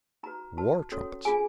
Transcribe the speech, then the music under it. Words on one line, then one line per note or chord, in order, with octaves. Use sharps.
War trumpets!
D#4 F#4 B4 A#5
F#4 B4 A5
C#4 F#4 A4 C#5
D4 F4 G#4 G#5